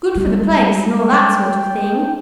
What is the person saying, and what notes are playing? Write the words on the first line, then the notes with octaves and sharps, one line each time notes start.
"Good for the place--and all that sort of thing."
G3 G#3
G5